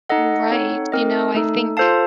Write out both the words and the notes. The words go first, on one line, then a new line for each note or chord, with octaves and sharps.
Mm, right, you know, I think
D#4 A4 D#5 F#5
C4 D#4 A4 C#5 F#5
C4 D#4 A#4 D#5
A3 D#4 A4
F4 A4 C5 F5 A5